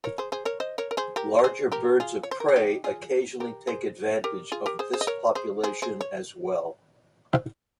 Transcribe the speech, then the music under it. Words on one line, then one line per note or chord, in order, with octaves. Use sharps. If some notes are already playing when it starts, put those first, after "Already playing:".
Larger birds of prey occasionally take advantage of this population as well.
A#4 C#5
G#4 C5
G#4 C5
A#4 C#5
C5 D#5
A#4 C#5
A#4
G#4 C5
G4 A#4
A#4
G#4 C5
G4 A#4
F4 G#4
C#5
C5
A#4
G#4
D#4 G4
F4 G#4
G4 A#4
G#4 C5
G4 A#4
F4 G#4
G4 A#4
G#4 C5
G#4 C5
D#5
A#4 C#5
G#4 C5
G#4 C5
G#4 C5
C#5